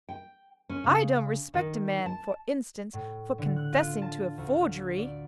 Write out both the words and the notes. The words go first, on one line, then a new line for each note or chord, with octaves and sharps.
'I don't respect a man, for instance, for confessing to a forgery.'
G5
C#4
C#3
D#3
A5
A2
D3
F#6
F4
A5
D2
D5